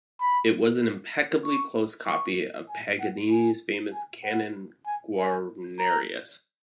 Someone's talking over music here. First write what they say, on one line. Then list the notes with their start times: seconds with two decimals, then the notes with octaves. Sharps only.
It was an impeccably close copy of Paganini's famous Cannone Guarnerius.
0.20 B5
1.44 C#6
2.06 C#6
2.69 G#5
3.00 F#5
3.31 G#5
3.93 G#5
4.24 F#5
4.86 G#5
5.17 G#5
5.79 A#5